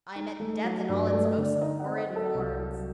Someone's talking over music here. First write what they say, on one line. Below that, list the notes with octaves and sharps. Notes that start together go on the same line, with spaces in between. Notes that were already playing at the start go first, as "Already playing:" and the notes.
I met death in all its most horrid forms.
D#4
A3
F#3
G2 D5
D5
A3
D#5
D3
D5
D#4 D#5
F#5
C4
D#5
F#3
A4
C2
F#3